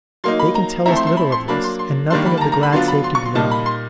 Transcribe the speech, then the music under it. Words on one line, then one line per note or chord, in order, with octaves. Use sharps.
They can tell us little of this, and nothing of the glad safety beyond.
F#3 A#3 D#4 C6
B5
A#5
F3 A3 C4 E4 A#5
C6
C6
B5
C6
F#3 A#3 D4 B5
C6
C6
D#3 G3 A#3 D4 C6
B5
A5
A#5
A#5
B5
D3 F#3 B3 D4 F4 C6
B5
C6
C#6
C6
A#2 G3 A#3 D#4 A5
B5
C6